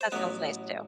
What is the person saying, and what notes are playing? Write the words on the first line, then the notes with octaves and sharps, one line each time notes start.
That sounds nice too.
C5
A1 A2 F#3 B3 B4